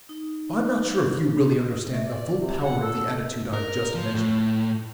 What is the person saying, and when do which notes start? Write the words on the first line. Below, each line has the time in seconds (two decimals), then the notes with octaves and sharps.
I'm not sure if you really understand the full power of the attitude I've just mentioned.
0.09 D#4
1.90 A3
2.05 D5
2.35 C3
2.63 F#5
2.82 A4
3.53 A#4
3.95 F3
4.15 A2